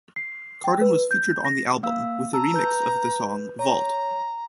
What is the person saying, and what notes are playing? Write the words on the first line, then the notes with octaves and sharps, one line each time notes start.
Kardon was featured on the album with his remix of the song "Vault".
C7
G5
B4
G6
A#6
A#3 F5 E6
A5 A#5 E6
B4 G6
C#5 A#5